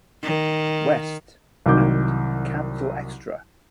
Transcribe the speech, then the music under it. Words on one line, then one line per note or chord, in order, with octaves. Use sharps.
West" and "Capital Xtra!
D#3
C2 D#3 F#3 D6 G6